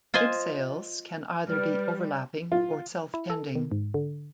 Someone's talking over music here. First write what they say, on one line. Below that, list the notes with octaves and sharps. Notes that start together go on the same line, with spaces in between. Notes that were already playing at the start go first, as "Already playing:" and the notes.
Jib sails can either be overlapping or self-tending.
F4 C5 D#5 G#5 C6
G3 B4 F6
F4
E4
A4
D#3
G#2
D3